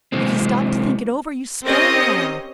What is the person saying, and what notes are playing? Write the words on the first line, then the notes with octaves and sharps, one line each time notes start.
If you stop to think it over you spoil it all.
C3 E3 G#3 C4
C4 C#4 G4 A#4 D#5